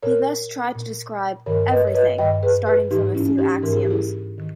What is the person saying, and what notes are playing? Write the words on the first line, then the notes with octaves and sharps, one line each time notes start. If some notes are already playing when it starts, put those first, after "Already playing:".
He thus tried to describe "everything" starting from a few axioms.
A#2 A#4 C#5
A#2
G2 D#3 A#4 C#5
B4 D#5
C#5
B4 D#5
G2 D#3 D#5 G5
G#4 B4
G#4 B4
G#2 E3 D#4 G4
C#4 E4
D#4 G4
G#2 E3 A#4
G#4
G4
E4 G#4
D#3